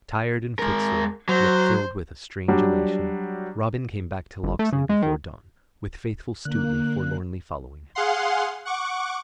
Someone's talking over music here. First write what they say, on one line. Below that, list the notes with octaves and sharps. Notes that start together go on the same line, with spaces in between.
Tired and footsore, yet filled with a strange elation, Robin came back to Locksley before dawn, with faithful Stuteley forlornly following him.
G#3 A#4
F#3 C5
F#3 G3 D4
G1
A3
C#3
G#3
D#3
D3 A#3 F#6
G#4 F5 F#5 C6
F#5 C#6 D6